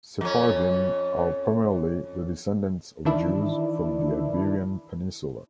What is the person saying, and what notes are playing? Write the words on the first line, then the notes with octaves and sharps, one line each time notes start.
Sephardim are primarily the descendants of Jews from the Iberian Peninsula.
F2 C#4
D#3 E3 D4 E4